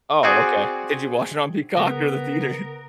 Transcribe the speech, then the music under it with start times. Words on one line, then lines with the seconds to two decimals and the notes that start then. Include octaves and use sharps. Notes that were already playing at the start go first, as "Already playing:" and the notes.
Oh, okay. Did you watch it on Peacock or the theater?
0.23 C4 F#4 G#4 D5
1.77 C#3 B3 A#4